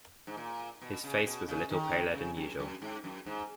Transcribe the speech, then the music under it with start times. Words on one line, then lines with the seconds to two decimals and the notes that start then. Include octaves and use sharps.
His face was a little paler than usual.
0.27 G#2
0.37 A#2
0.82 B2
1.04 C#3
1.26 B2
1.48 C#3
1.70 D#3
2.10 B2
2.14 C#3
2.37 F#2
2.59 F#2
2.82 G#2
3.04 F#2
3.26 G#2